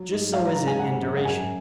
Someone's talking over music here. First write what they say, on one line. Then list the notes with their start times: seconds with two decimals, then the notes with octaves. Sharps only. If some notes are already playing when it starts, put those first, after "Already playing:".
Just so is it in duration.
Already playing: F#3
0.11 G#2
0.33 F#3 F5
0.45 A#5
0.56 G#2 A#5
0.67 G#5
0.79 C#3 F#5
1.02 F#2
1.17 F#5
1.25 F#2 G#5